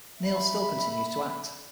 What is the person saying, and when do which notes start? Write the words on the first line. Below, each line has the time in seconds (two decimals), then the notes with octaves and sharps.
Neal still continues to act.
0.22 E5 B5